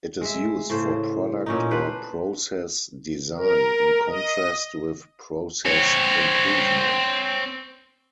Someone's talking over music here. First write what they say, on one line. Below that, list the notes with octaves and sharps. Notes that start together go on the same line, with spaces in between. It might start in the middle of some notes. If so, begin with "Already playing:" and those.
It is used for product or process "design" in contrast with process "improvement".
G#3 E5
A2 C#3 C5
A#2 C#4 D#4
D4 B4 C5
A#4
D#5
C4 C#5